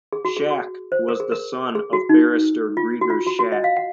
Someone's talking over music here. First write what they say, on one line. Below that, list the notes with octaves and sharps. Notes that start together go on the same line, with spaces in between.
Schack was the son of barrister Gregers Schack.
G#4
F#4
G#4
F#4
C5
A#4
G#4
A#4
G#4
F#4
D#4
F4
F#4
F4
F#4
F#4
D#5
F5
F#5